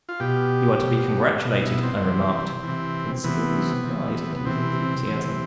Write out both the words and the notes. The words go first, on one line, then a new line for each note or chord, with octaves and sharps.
"You are to be congratulated," I remarked, considerably surprised at his enthusiasm.
F4
B2 G4
B2
B2
E4
C4
C3 E3
C3 E3
C3 E3 B3
C3 E3
B3
C3 E3 C4
C3 E3